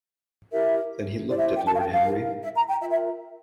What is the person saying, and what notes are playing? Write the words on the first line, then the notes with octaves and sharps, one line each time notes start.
Then he looked at Lord Henry.
E4 G4 A#4 E5
E4 G4 C5 D5
E5
G5
A5
F5
G5
F5
A#4
E4
E5
A#5
G5
F4 A#4 E5
E5